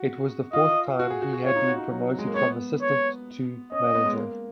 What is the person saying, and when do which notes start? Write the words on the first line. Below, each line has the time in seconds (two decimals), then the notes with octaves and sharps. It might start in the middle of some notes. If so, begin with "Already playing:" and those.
It was the fourth time he had been promoted from assistant to manager.
Already playing: F#4
0.53 F4 D#5
0.99 F#4
1.10 G#4
1.22 F#4
1.33 F#4
1.44 F4 C#5
1.56 D#4
1.68 F#4
1.78 D#4
1.90 F#3
2.19 G#3
2.27 A#3
2.35 B3 C#5
2.82 C#5
3.72 C#4 D#5
3.83 C#4
3.95 B3
4.06 G#3
4.17 A#3